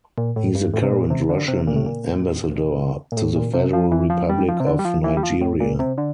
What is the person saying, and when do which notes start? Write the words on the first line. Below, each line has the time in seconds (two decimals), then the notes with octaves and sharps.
He is the current Russian Ambassador to the Federal Republic of Nigeria.
0.18 A#2
0.36 A2
0.55 G2
0.74 A2
0.83 C3
0.92 A#2
1.10 C3
1.29 D3
1.48 C3
1.67 A#2
1.76 A2
1.86 A#2
3.12 A#2
3.17 A2
3.36 A#2
3.54 C3
3.73 F3
3.92 E3
4.10 F3
4.29 G3
4.48 F3
4.60 C3
4.66 D3
4.79 G3
4.85 F3
5.04 E3
5.17 G3
5.23 F3
5.41 A2
5.60 A#2
5.79 C3
5.98 D3